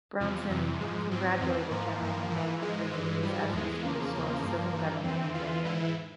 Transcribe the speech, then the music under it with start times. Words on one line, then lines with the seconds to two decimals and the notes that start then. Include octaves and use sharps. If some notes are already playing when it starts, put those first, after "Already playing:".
Brownson congratulated General Nathanael Greene for his efforts to restore civil government in Georgia.
0.20 E2 C3 F3
0.50 F2 C3 E3
0.80 G#2 F3 G#3
1.11 G#2 F3 C4
1.40 F2 E3
1.71 G#2 F3 A#3
2.02 G2 F3
2.31 G#2 E3
2.62 G#2 F3 G#3
2.92 G2 E3
3.22 G#2 F3 G3
3.53 E2 E3 G#3
3.82 E2 C#3 F3 A#3
4.12 E2 C#3 F3
4.43 G2 F3
4.74 G2 E3
5.04 F2 E3 C4
5.34 E2 E3 F4
5.64 G#2 E3 E4